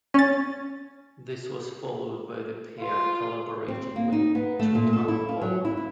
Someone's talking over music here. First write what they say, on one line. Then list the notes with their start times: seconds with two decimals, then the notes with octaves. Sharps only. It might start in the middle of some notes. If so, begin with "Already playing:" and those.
This was followed by the pair collaborating with Two Ton Boa.
0.14 C#4 A6
2.79 F4
3.68 C4
3.96 A#3
4.12 D#4
4.35 B3
4.59 A3
4.75 A#2
4.93 A4
5.08 E4
5.29 F4
5.41 F#3
5.65 E4
5.77 E4